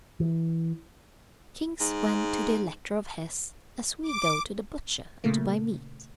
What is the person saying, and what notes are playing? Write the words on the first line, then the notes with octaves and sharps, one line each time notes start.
Kings went to the Elector of Hesse as we go to the butcher to buy meat.
E3
G#2
D6
A#2 C#3 A3 A#3